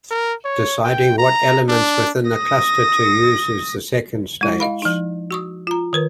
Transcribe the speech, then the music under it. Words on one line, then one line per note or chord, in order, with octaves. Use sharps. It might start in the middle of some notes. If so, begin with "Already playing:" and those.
Deciding what elements within the cluster to use is the second stage.
A#4
C#5
G5
A#5
D4
D#6 A#6
G#3 E4
D#5 F5 B5
F3 D#4
F#4 C#6 D#6
F4 A#5
D#3 A#4 B4